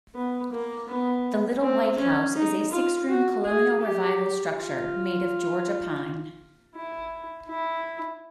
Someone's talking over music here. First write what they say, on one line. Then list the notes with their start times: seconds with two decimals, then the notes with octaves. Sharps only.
The Little White House is a six-room Colonial Revival structure made of Georgia pine.
0.16 B3
0.52 A#3
0.89 B3
1.62 C4
1.99 C#4
2.35 D#4
2.72 F4
3.09 F#4
3.45 G#4
3.82 G4
4.56 F4
6.75 E4
7.49 E4